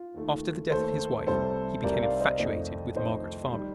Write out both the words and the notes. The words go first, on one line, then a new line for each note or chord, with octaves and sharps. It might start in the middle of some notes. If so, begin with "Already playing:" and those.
After the death of his wife he became infatuated with Margaret Farmer.
Already playing: F4
D#2 D#3 A3
D#2 D#3 A3 A4 C5
C2 C3 G3 A4 C5
C2 C3 G3 A#4 D5
D5 F5
C5 D#5
F2 D#3 A3 C5 D#5
F2 D#3 A3 C5 D#5
D#3 G3